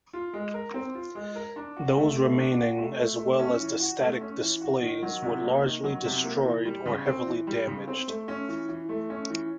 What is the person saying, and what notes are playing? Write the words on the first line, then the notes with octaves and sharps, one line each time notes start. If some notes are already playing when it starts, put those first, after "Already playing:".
Those remaining as well as the static displays were largely destroyed or heavily damaged.
F4
G#3
A#4
C4
F4
G#3
A#4
D4
F#4
A3
A3
D4
F#4
A3
A3
A3
C#4
E3
F#4
A3
C#4
E3
F#4
D#3
F#3
C3
A#3
D#3
F#3
C3
A#3
E3
G3
C#3
C4
E3
G3
C#3
C4
A3
C#4
E3
E3
A3
C#4
E3